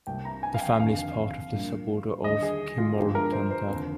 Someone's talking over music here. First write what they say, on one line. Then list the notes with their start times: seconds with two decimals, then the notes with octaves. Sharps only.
The family is part of the suborder of Cimolodonta.
0.07 C2 C3 G3 A#3 G5
0.25 A#5
0.43 G#5
0.54 F5
0.61 G5
0.79 F1 D#2 D3 F5
1.52 A#1 A#2 G3 A#3
2.24 D#2 D3 G3 D#5
2.43 G#4
2.78 F4
2.96 G1 G2 F3 G#3 G4
3.15 A#4
3.33 C5
3.51 C5
3.69 F1 D#2 D3